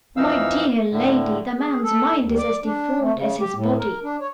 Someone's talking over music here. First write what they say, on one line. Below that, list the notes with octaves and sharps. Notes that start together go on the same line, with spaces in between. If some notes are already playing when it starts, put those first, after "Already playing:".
My dear lady, the man's mind is as deformed as his body.
F2 E3 D#4 F5 E6
A2 D3
G#4
A4
D#2
D5
D4
A3
C#3
G4
A2
A#4
D4
C#5